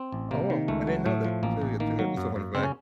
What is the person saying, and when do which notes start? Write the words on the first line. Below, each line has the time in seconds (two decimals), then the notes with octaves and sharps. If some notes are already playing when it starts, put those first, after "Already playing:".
Oh, well, I didn't know that, that's a that's a good that's a fun fact.
Already playing: C4
0.12 A1
0.31 C3 A#3
0.50 D#3
0.68 C#2 A3
0.87 F#3
1.06 A2 A3
1.24 F3
1.43 A1 A#3
1.62 A1
1.80 D#3 A#3
1.99 F#3
2.17 F#2
2.36 F#2
2.55 C#3 C4
2.63 C#4